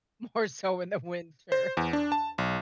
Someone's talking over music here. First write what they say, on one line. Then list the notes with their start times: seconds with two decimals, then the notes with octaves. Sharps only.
more so in the winter.
1.52 C5
1.77 E2
1.93 D4
2.12 A5
2.38 B1